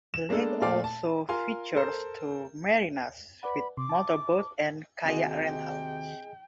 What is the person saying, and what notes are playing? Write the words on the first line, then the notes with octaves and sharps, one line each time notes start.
The lake also features two marinas with motorboat and kayak rental.
E7
G#3 A#3 B3 D4 A4
A#2 A3 D5 F5 G5 D6
A5
F4 A#4 F5 G#5 C6
A4 A#4 C5
B4 D5 F#5 B5
C3 C6 D6
A5
D#2 C3 F#4 G#4 D#5 G5 G#5